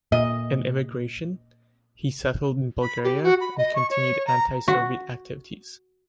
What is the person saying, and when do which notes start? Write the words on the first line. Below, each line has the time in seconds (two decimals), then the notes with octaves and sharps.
In emigration, he settled in Bulgaria and continued anti-Soviet activities.
0.12 A#2 D#5
2.82 B5
3.04 G4
3.23 F#4
3.41 B5
3.58 D#5
3.75 C#6
3.90 C#5
4.27 A#5
4.68 F#4